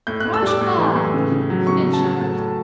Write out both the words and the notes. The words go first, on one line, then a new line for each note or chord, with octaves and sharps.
"Proshka!" he then shouted.
A2 G6
F#6
A2
E6
G3 D6
A2
E3
A2
C#3
C#3
F#3
C#3 C#6
C#3
A5
F#3
A2
A2